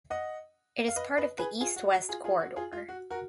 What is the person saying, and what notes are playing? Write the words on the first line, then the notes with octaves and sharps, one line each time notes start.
It is part of the "East-West Corridor".
D#5 F#5
F5
B4 D#5
B4 D#5
G#4 B4
F4 G#4
F#4
F#4
F4 G#4
F4 G#4
F#4
F4 G#4
F4
F#4
F#4 A#4